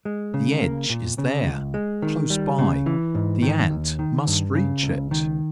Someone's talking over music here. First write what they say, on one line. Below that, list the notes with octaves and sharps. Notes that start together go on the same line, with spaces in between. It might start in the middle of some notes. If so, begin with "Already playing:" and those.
The edge is there, close by; the Ant must reach it.
G#3
C#3
A#3
A#2
C#3
C#2
G#3
D#3
G3
C#3
E3
G#2
D#3
D#2
D#3
G2
C#3
C#2
D#3